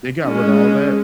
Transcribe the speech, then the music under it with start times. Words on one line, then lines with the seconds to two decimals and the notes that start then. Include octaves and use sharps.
They got rid of all that,
0.24 G#3 C#4